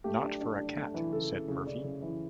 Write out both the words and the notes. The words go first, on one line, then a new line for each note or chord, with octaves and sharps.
"Not for a cat," said Murphy.
A3 G4
D4
D4
D4
A3
E3
C#3 A4
C#3
C#3
C#3 D5
C#3
E3